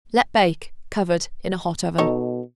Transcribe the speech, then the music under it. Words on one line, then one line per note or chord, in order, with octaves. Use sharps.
Let bake, covered, in a hot oven.
B2 D#4 A4 C#5